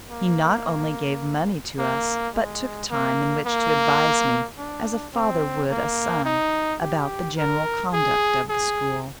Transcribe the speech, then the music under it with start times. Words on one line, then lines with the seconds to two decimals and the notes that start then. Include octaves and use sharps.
He not only gave money to us, but took time in which to advise me, as a father would a son, about the general conduct of the school.
0.11 A#3
1.78 A#3
2.34 G#3
2.90 A#3
3.46 A#3
4.58 D4
5.13 C4
5.70 A#3
6.25 D#4
6.81 G4
7.37 A#4
7.93 G#4
8.49 G#4